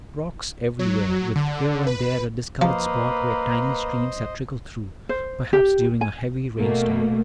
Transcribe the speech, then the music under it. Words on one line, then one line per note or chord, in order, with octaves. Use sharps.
Rocks everywhere, with here and there a discolored spot where tiny streams had trickled through, perhaps during a heavy rainstorm.
F#3
D3
B4
F3 A#3 B4 C5 D#5
C5
G4
G#5
B2 A3 A#3